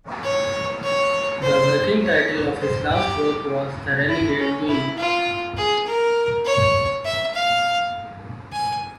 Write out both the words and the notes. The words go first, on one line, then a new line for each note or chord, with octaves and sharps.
The working title of his last work was "The Renegade Queen".
C#5
C#5
C5
C#5
C5
G4
E4
C#4
E4
F4
G#4
A#4
C#5
E5
F5
G#5